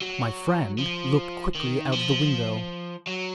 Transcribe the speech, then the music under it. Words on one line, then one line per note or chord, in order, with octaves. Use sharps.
My friend looked quickly out of the window.
F#3
F3
D#3
F3
F#3